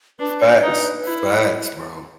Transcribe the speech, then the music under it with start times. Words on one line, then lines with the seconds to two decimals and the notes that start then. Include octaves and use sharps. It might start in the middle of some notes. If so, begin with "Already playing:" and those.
Facts. Facts, bro.
0.19 D4 B4
0.62 D#4
1.03 E4